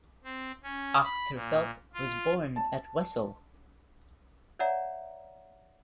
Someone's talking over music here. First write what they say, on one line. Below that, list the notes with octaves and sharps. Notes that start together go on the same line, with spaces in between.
Achterfeldt was born at Wesel.
C4
C#4
B5
A#2
F4
A5
C#5 D5 E5 F#5 A#5